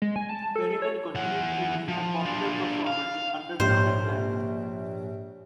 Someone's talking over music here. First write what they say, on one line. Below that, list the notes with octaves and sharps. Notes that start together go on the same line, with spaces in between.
Perryman continued to be a popular performer in Underground Atlanta.
G#3
G#5
A5
A4
A4
C#5
E3 F#5
F3
D4 F4
F5
A#1 G#2 G4 C5 C#5